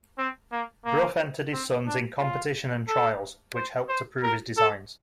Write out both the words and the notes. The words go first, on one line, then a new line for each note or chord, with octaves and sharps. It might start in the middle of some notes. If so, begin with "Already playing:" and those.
Brough entered his sons in competition and trials, which helped to prove his designs.
C4
A#3
A#3
C4
D4
F4
A4
C5
C5
A#4
A4